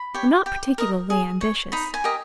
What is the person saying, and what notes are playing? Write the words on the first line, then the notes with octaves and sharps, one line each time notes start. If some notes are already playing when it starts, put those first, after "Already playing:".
I'm not particularly ambitious.
Already playing: B5
G4 C#5
G4
A#4 D#5
G#4
C#5
D#4 B5
G#5
G4 A#4 D#5